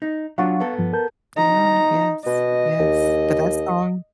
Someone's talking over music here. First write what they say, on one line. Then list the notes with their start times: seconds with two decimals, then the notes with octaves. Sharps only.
they are, yes, yes, but that song
0.02 D#4
0.38 F#3 D4 F4 F5 F#5 C#6
0.60 B3 A4
0.78 G2 F3
0.93 A#4 A5 G6
1.37 D#4 A#5
2.26 B2 D#5
2.80 D#2